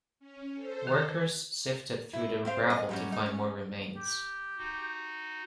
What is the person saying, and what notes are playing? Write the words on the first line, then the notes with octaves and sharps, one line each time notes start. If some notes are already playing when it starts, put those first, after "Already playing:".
Workers sifted through the gravel to find more remains.
C#4
A4 C5
D#3
E4
C4 C5 F5
D#5
F#3 G3 C#4
D#4
C#4
G4
D#4 F#4